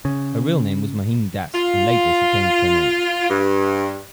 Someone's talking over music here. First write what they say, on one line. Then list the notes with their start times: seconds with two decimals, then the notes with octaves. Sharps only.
Her real name was Mohini Das and later she changed her name.
0.05 C#3
1.53 F4
3.29 G2